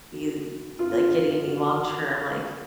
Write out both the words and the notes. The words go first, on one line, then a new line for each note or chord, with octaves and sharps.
be, like, getting any long term, like,
F#4
F4
F#4